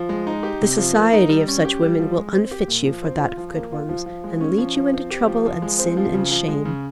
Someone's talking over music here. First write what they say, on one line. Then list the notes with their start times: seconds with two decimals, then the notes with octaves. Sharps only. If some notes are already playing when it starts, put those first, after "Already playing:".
The society of such women will unfit you for that of good ones, and lead you into trouble and sin and shame.
Already playing: F3
0.09 G#3
0.27 D#4
0.43 G4
0.61 C3
0.78 F3
0.95 A#3
1.13 D#4
1.29 G3
1.48 C#4
1.65 G4
1.82 G3
1.99 F3
2.17 G#3
2.34 C4
2.51 G4
2.68 A#2
2.86 F3
3.03 C4
3.20 F4
3.38 F3
3.54 A#3
3.72 F4
3.89 F3
4.06 F3
4.24 G#3
4.41 C#4
4.58 F3
4.75 F3
4.94 C4
5.11 G4
5.28 F3
5.45 F3
5.62 G#3
5.79 C4
5.97 F3
6.14 C#3
6.31 F3
6.48 G#3
6.65 C#3